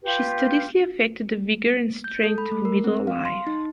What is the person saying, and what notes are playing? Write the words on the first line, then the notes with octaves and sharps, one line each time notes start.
She studiously affected the vigour and strength of middle life.
F4 G4 B4
G6
A4
B5
A3
A#4
C4
F5
C6
D#4